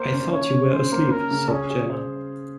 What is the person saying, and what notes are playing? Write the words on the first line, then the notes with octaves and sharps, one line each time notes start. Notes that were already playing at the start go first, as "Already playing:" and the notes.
"I thought you were asleep," sobbed Jenna.
Already playing: A#3 C5
C#4
C#4 C#5
C#3
C#4 C5
A#3
A#3 A#4
C#3
C#4 G#4
G#4
C5